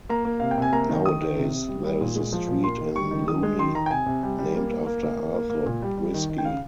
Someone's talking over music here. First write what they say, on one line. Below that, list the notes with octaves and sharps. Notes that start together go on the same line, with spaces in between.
Nowadays, there is a street in Louny named after Arthur Breisky.
A#3 A#5
A#3
C3 F5
G5
C3 G#5
A#3 A#5
D#3
D#3 D#6
D#3
C3
C3
G3
G3
A#2
G#3
F3
A#2
A#3 C6
D#3
G3 C#6
D#3
D#3 D#6
G#3
D#3 C6
D#3 A#5
G5
C3 G#5
C3
G3
G3
A#3
A#3
A#3
A#3
A#3
A#3
A#3
A#2
G3
G3
D#3
D#3
G5
C#3 F5